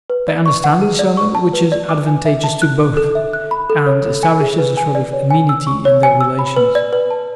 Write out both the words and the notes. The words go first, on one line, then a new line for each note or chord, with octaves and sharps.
They understand each other, which is advantageous to both, and establishes a sort of amenity in their relations.
B4
D5
C#6
F#5
G#4
D5
C#6
A5
B4
D5
D6
G#5
E5
A5
F#6
D6
A4
E5
F#6
B5
A4
C#5
A4
G#5
G#4
B4
G#5
D5
C#5
G#5
E6
C#6
C#5
G#5
E6
B5
B4
D5
B4
A5